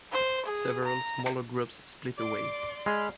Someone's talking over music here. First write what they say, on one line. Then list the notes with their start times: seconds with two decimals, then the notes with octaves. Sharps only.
Several smaller groups split away.
0.12 C5
0.46 G#4
0.85 A#5
2.18 D5 C6 D6
2.86 G#3 G#4 B5 F6